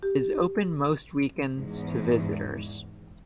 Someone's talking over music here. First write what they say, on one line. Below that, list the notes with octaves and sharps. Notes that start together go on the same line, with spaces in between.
It is open most weekends to visitors.
G4
E2 G#2